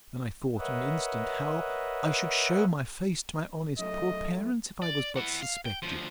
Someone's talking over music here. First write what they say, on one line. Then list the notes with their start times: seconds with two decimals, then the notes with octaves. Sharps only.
Then I thought in an instant, how I should shew my face to my honest poor parents, if I was but suspected.
0.58 A#4 B4 C#5 D#5 E5 F#5
3.79 F#2 A3 D#5
4.82 D5
5.16 E4 F#5
5.42 F5
5.66 G5
5.82 D2 F3